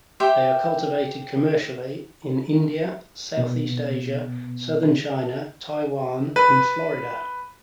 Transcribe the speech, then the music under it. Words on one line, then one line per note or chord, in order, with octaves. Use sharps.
They are cultivated commercially in India, Southeast Asia, southern China, Taiwan, and Florida.
G4 C5 E5 G5
B2 B3
B4